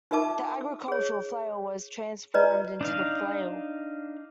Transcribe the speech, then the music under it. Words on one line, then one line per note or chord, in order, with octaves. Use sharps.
The agricultural flail was transformed into the flail.
D#4 F4 A#4 E5 A5 D6
G#4 C#5
F4 B4 D5 D#5 A#5
D4 D#4 F5